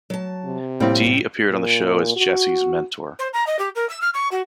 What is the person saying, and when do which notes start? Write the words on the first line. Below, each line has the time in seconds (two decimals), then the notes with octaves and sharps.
Dee appeared on the show as Jesse's mentor.
0.10 F#3 A5
0.44 C3
0.80 A2 G3 A#3 C4
1.50 A#2
2.16 F#4
3.19 C5
3.33 A#5
3.47 D#5
3.59 G4
3.75 A#4
3.89 E6
4.01 F6
4.14 C#6
4.32 F#4